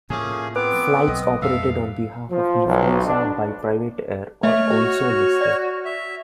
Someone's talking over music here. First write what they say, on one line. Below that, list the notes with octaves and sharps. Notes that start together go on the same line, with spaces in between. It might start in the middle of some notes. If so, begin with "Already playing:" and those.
Flights operated on behalf of Lufthansa by PrivatAir are also listed.
A2 F3 A3 A#3 C#4 G#4
B3 C4 B4 D6
B1 D#5
F2 A#2 G3 A4 E5 F5
F3
B1
D4
A3 C#5 D#5 E5 F6
F#4
D5
E5